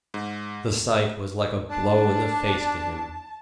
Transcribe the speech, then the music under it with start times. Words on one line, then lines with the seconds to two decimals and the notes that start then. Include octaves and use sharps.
The sight was like a blow in the face to him.
0.14 G#2
1.69 D4 A5